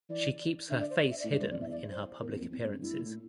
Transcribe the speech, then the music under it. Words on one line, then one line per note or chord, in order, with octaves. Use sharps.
She keeps her face hidden in her public appearances.
E3 D5
D3 E5
D5
C5
D5
E5
D5
A2
G2 D5
G2 C5
F2 D5
E2 E5
D5
C5
E2 A#4
E2 C4
F2 A#3
E2 C4
A#3
G2
C4
G2 E4
A#2
A2